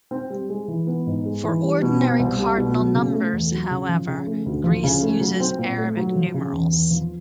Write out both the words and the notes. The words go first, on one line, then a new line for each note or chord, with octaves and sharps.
For ordinary cardinal numbers, however, Greece uses Arabic numerals.
C4
G3
G#3
E3
B3
G#2
G#3
E3
G3
B2
C4
C2
G3
B2
F#3
C#3
A3
E2
F#3
C#3
F3
C#3
A3
D2
F3
C#3
A3
F#3
C4
A#2
A3
F#3
F3
C#3
E2
E2
F3